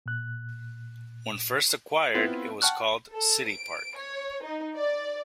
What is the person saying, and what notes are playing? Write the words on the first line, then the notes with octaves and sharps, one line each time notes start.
When first acquired, it was called "City Park".
A#2 F#6
B3 C4 E4 F4 B4
F#5 G5 A5 C#6 F6 F#6
A4
D7
C#5
D#4
D5